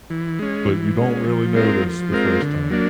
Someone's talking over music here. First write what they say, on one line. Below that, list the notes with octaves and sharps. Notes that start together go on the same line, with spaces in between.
but you don't really notice the first time.
E3
G#3 C#4
E3
G#3 C#4
F3
G#3 C4 F4 A#4
F3
G#3 C4 F4 A#4
D3
F#3 A#3 D4